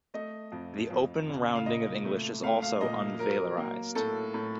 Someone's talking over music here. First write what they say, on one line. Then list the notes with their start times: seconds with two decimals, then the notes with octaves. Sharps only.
The open rounding of English is also unvelarized.
0.14 A3 D#5
0.52 F2
0.91 F2
1.29 C#3
1.56 F5
1.66 A#2 D#5
2.05 A3
2.43 A3 F5
2.62 F5
2.81 A#2 D#5
3.19 F#3 A#4
3.57 A#3
3.95 A2 A4
4.34 A2